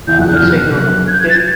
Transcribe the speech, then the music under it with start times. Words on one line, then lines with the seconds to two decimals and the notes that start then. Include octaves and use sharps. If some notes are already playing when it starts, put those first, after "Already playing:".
uh, let's say during a weekday,
0.07 E2 G6
0.19 F2 F#6
0.31 E2 F6
0.42 F2
0.49 F#6
0.54 B2
0.66 C3
0.77 F#3
1.07 G#6
1.12 G6
1.21 G#6
1.29 A6
1.38 G#6